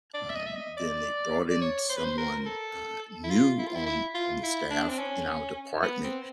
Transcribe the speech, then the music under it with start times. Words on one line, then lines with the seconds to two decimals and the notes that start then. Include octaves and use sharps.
um, then they brought in someone, uh, new on on the staff in our department,
0.14 D5
0.30 E5
0.35 D#5
0.46 E5
0.56 D#5
0.77 D5
1.50 D5
1.62 C#5
1.89 C5
1.97 B4
2.04 C5
2.18 A#4
2.46 A4
3.24 E4
3.30 F4
3.59 E4
3.67 F4
3.75 E4
3.86 E4
4.14 F4
4.43 E4
4.71 D4
4.89 C4
4.99 C#4
5.83 B3
6.04 C4